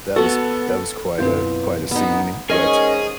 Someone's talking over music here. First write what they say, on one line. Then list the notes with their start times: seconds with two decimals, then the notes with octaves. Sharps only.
that was that was quite a quite a scene, but
0.16 B3 F#4 A4
1.18 F#2 B2 C4 E4 F4 B4 C6 G6
1.91 B3 D#4
2.50 G#2 C#4 G#4 A#4 D#5 C#6